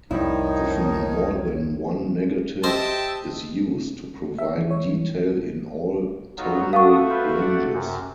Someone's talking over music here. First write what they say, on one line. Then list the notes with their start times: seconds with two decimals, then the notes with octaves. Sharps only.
Often more than one negative is used to provide detail in all tonal ranges.
0.11 C2 F2 D#3 F3 G3 D#4 E4 C#5
2.64 G4 C5 D#5 E5 G5 A5
4.38 E5
4.58 E3
4.71 C#5
4.86 E3
6.38 F#3 B3 D#4 F4 F#4
6.73 A3 D4 F#4 A4 F5 C#6 D#6
7.10 F4 B4 C5
7.42 D5 F#5
7.73 F#2 C3